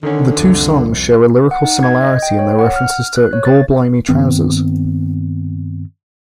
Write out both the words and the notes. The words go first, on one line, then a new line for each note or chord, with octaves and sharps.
The two songs share a lyrical similarity in their reference to "gorblimey trousers".
D3 D#3 C#4
C2 F2
F#5
D#4
G#6
D#5
G5
C#5
F#5
F6
F#6
C#5
A6
G2 D#3 B3 C4